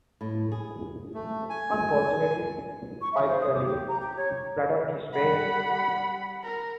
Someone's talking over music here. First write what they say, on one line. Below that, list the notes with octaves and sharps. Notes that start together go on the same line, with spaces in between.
Unfortunately, Pike fell in, flat on his face.
A2
G#4
A3
G#5
C#6
E5
C5
D#6
D6
G4
A#5
G4
C#5
G3 F#5 B5
A#4